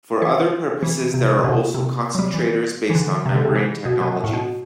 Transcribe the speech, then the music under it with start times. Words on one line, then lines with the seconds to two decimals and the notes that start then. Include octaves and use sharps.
For other purposes there are also concentrators based on membrane technology.
0.22 E3
0.83 E3
1.14 C3
1.39 C3
1.44 B2
1.74 C3
2.15 F#3
2.19 G3
2.34 E3
2.90 E3
2.95 D3
3.26 C3
3.36 D3
3.45 C3
3.55 E3
3.86 B2
4.01 B2
4.16 B2
4.24 A2
4.33 B2